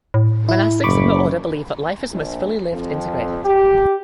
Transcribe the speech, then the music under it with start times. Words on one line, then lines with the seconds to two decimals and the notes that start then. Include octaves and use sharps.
Monastics in the Order believe that life is most fully lived integrated.
0.14 A2
0.49 E4
0.84 F#1 B5 C#6 D6
2.12 A#1
2.71 F2
3.44 G4